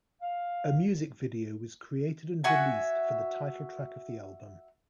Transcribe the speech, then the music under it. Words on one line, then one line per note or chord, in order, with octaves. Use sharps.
A music video was created and released for the title track of the album.
F5
F#4 E5 F#5 G#5